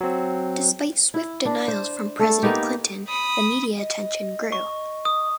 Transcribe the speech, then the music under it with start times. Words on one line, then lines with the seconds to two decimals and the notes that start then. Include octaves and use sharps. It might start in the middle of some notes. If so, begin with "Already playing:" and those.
Despite swift denials from President Clinton, the media attention grew.
0.01 F#3 C4
1.14 E4
1.45 D4
1.68 C5
2.19 A3 A4
2.43 A#3 B3 D#4 G4
3.08 B5 D#6
3.78 D#5
4.52 C#6
5.05 D#6